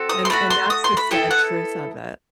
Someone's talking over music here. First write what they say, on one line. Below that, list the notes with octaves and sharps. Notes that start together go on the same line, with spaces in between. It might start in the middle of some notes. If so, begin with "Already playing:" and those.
and and that's the sad truth of it.
Already playing: C4 F#4 A4
D#6
C6
A3 D#4 F#4 B5
C6
D#6
C6
B5
B3 E4 A4 G5
F#5